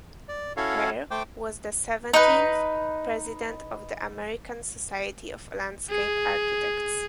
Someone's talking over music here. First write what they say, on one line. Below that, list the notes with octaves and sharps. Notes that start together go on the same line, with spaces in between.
Hare was the seventeenth president of the American Society of Landscape Architects.
D5
C#4 E4 F#4 A4 C#5 F5
A3 C5 G5 D6
D#4 B4
G#4